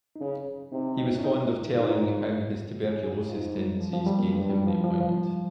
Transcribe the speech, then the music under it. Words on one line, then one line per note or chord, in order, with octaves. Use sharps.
He was fond of telling how his tuberculosis tendencies gained him the appointment.
D#4
C#3 C#4
C3 D#4
D#4
C#4
D#4
G#2 F4
G#4
G#4
G4
G#2 F4
G3
F3
F3
G3
A#3
G2 G#3
G3
F3
F3
F3